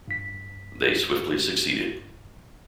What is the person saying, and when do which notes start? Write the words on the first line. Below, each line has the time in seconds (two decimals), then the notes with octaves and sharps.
They swiftly succeeded.
0.08 G2 B6